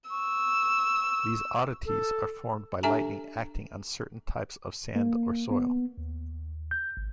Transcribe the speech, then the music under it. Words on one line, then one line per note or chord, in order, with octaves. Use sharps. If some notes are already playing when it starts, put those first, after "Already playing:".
These oddities are formed by lightning acting on certain types of sand or soil.
C#6 E6
A4
D4 G4 A4 E5 G#5 A#5
A#3
B3
D#2
G6
G#1